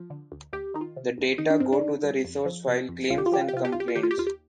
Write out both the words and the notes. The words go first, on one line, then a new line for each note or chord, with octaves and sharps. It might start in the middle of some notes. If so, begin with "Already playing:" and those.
The data go to resource files, claims and complaints.
Already playing: F3
D3
D2
D2 G4
D#3 D#4
F4
C3
D2
D#3 D#4
D4
G2 C4
D4
D#3
G2
F2
F3
C3
F2
C2 F4
G4
F4
F3 G4
F4
G4
C3 F4
G4
C2 F4
G4
F4
D#3 G4
F4
G4
D#2 F4
G4